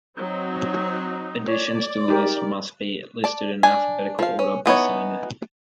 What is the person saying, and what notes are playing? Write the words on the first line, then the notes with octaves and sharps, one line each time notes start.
Additions to the list must be listed in alphabetical order by surname.
F#3 C4 D#4
C#5 D5
D#4 G4 A#4
D5 A5
D4 G#5
F3 F5
C#4
E3 B3 D#4 C#5